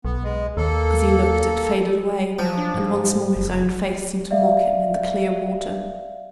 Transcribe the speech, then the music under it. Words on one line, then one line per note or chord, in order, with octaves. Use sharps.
As he looked, it faded away, and once more his own face seemed to mock him in the clear water.
B1 B3
G#3
D#2 A#3 A4
F3 F#3
D4
G#2
F#1
D5 E5 F5